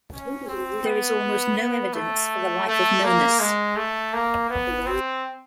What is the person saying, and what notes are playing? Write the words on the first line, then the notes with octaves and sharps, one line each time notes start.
There is almost no evidence for the life of Nonnus.
C#4
C4
B3
B3
A3
A3
A#3
G#3
A3
A#3
B3
C4